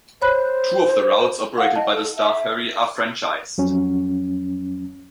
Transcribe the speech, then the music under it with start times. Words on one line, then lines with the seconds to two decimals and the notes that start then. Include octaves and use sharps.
Two of the routes operated by the Star Ferry are franchised.
0.22 C5 C#5 B5 F#6
1.58 F5 F#5
1.76 D#5 A5
1.92 A4
2.17 E5
3.58 F2 F#3 C#4